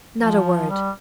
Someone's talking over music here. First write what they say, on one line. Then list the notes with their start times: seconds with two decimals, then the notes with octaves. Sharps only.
"Not a word."
0.22 F3
0.70 G3